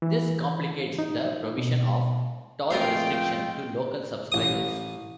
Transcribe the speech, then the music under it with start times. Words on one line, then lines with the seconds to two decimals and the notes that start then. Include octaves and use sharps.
This complicates the provision of toll restriction to local subscribers.
0.02 E3
0.98 D#4
1.58 B2
2.70 F2 G#3 A3 F4 A#4 F5 G5
4.32 A1 D#6